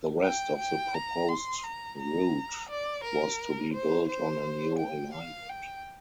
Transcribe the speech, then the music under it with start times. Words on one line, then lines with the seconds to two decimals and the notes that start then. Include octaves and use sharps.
The rest of the proposed route was to be built on a new alignment.
0.24 G5
0.59 G5
0.94 A#5
1.29 C6
1.64 A#5
1.99 A#5
2.69 D5
3.04 A#4
3.73 C5
4.09 C5
4.79 G5
5.14 F5
5.49 G5